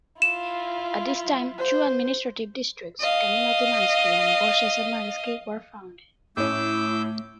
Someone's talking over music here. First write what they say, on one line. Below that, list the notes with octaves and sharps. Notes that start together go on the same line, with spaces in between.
At this time, two administrative districts, Canino-Timansky and Bolshezemelsky were founded.
E4 F4 E7
C5
D#5 F5
A2 A3 C#4 E4 D6 E6 G6